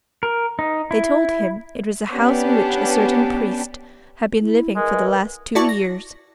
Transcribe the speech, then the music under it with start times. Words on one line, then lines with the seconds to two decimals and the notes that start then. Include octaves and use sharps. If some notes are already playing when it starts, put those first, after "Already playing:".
They told him it was a house in which a certain priest had been living for the last two years.
0.23 A#4
0.59 D#4
0.91 E4
2.13 B3 C#4 D4 G4
4.41 E4
4.76 B2 E3 G#3 A#4
5.55 E4 F#4 D5 A5 C#6
5.69 A#6